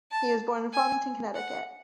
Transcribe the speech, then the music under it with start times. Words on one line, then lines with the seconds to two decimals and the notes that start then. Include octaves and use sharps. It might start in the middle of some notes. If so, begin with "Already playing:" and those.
He was born in Farmington, Connecticut.
0.11 A5
0.73 G#5
1.35 F#5